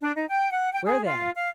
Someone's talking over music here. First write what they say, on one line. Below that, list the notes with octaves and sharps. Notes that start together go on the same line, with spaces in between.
Where then?
D4
D#4
G5
F#5
G5
G#4
F4
F5